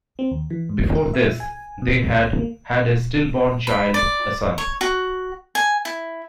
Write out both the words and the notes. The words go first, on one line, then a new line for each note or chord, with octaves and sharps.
Before this, they had had a stillborn child, a son.
C4
D#2
E3
G#2
A#4
E5
G#5
B2
C3
C2
A#3
B5
D5
C#5
F#4
G#5
E4